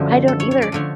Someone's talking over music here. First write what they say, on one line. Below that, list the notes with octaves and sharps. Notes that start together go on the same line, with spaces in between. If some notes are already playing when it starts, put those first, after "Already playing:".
I don't either.
Already playing: F#2 D3 F3 A3
A4
C#5
C#5
D5
D3 F3 A3 C#5